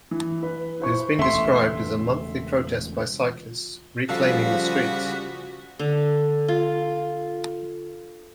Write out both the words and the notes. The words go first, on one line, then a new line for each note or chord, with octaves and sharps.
It has been described as a monthly protest by cyclists reclaiming the streets.
E3
B4
E4 C5 C#6
E1 C#3 A3 E5 C6
C#3 F3 G3 F#4 A4 F5 B6
D3
F4